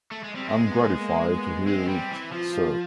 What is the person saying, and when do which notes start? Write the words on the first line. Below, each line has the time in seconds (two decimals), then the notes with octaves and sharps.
I am gratified to hear it, sir.
0.12 A3
0.24 G#3
0.34 G3 C4
0.49 G#3
0.67 B3
1.00 A#3
1.33 B3
1.67 G#3 C4
1.88 G3
2.11 E3
2.32 F3 F4